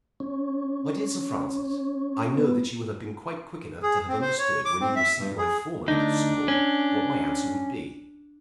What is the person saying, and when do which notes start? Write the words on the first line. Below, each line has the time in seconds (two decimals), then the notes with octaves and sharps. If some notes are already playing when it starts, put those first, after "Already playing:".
MY DEAR SIR FRANCIS,--I know that you will have been quite quick enough to have understood when you received my former little scrawl what my answer would be.
0.20 C#4
2.38 B3
3.82 G#4
4.08 C4
4.21 C5
4.38 C#5
4.65 D6
4.81 C4
4.96 E5
5.18 G2
5.38 G#4
5.88 D2 D4 D#4
6.48 C#4